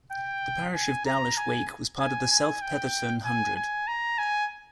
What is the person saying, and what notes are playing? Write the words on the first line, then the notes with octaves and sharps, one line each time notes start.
The parish of Dowlish Wake was part of the South Petherton Hundred.
G5
G#5
A#5
G#5
G#5
G#5
G5
G#5
G#5
A#5
G#5